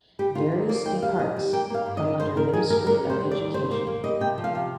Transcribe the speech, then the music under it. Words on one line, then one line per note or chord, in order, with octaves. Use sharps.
Various departs come under ministry of education.
G3 G4
D#3 F4
D#2
A#3 D5
D#2 G5
G3 F5
D#2 D#5
G3
A#3 G5
A#3 F5
G2
D#5
D#3
G2 C5
D#3 A#4
D#3 G#4
G2 A#4
D3 A#4
G3
C5
G3
D5
D#2
G3 C5
A#3 C5
A#3
G3 D#5
C3 G5
F3
F5
C3